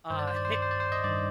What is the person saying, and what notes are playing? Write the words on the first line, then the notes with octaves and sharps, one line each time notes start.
uh, heh
G2 D#3 C5
D5
C5
D5
C5
D5
C5
D5
C5
D#5
G2 D#3 D5